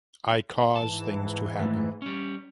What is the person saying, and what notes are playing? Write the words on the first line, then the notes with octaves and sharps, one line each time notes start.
I cause things to happen.
G#2 E3 A5
D#3 A3
G3 C#4